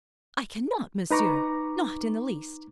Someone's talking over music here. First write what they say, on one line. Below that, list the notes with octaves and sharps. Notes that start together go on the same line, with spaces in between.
"I cannot, monsieur, not in the least."
D#4 B4 A#5 C#6 D6